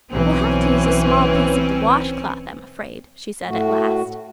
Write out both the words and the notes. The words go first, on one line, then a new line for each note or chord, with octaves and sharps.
"We'll have to use a small piece of the wash-cloth, I'm afraid," she said at last.
B1 E3 C4 C#4
A2 A3 F#4